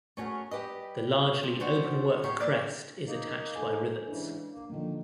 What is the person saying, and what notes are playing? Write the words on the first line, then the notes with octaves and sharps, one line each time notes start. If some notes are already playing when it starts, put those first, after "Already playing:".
The largely openwork crest is attached by rivets.
A3 C#4 F#4 G#4 A#4
G3 G4 B4 D#5
C3
C4 D4 F#4 C5
A2 F#4 G4 C5 C#5 A#5
A#3 D5
A#3 D#4
A4 A#4 G#5
G#2 C#3 E3 D4
A#3
A#2 D3 D#3 F3